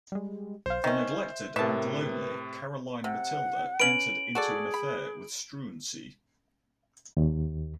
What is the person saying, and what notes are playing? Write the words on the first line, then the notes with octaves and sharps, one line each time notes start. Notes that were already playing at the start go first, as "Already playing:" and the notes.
The neglected and lonely Caroline Matilda entered into an affair with Struensee.
G3 G#3
B1 C5 F5
D#3 C#4 E5
A2 C3 A#4 B4 E5 A5
C3 F#5
C#4 B4 D7 F#7
F#4 G#4 A4 D5
B5
D#2